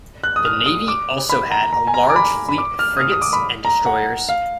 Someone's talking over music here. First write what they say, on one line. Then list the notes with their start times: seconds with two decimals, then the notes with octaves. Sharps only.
The navy also had a large fleet of frigates and destroyers.
0.24 F#6
0.36 D#6
0.45 F6
0.66 D#6
0.88 D6
1.29 B5
1.51 A#5
1.73 A#5
1.87 G#5
1.94 A#5
2.10 D6
2.16 B5
2.49 B5
2.58 D6
2.79 F6
2.97 D#6
3.00 F6
3.12 D#6
3.22 D6
3.33 B5
3.65 A#5
3.86 F#5
4.29 F5